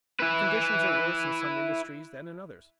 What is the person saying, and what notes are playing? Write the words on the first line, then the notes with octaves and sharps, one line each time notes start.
Conditions are worse in some industries than in others.
E4 B4